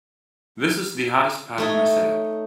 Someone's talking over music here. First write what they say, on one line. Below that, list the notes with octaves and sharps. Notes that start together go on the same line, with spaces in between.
This is the hardest part of my setup.
A3 D#4 C#5